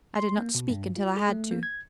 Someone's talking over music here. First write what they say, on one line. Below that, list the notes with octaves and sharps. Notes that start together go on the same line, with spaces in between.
I did not speak until I had to.
C6
A#3
B2
G2
F4
G#4
A3
A#3
G#6